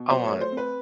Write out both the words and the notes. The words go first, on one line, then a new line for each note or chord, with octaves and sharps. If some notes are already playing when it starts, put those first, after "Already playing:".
I want
Already playing: B2
F#3 C5
C#5
A3
C5
C4
B4